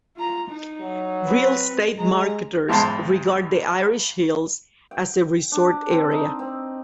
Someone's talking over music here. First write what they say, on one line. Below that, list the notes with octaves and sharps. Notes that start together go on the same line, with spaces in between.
Real Estate marketers regard the Irish Hills as a resort area.
F4 A#5
D#4
F#3
C4 B4
G#3 A#5
B1 E2 G#2 A5 C6
G5
D4
C4
D#4
C4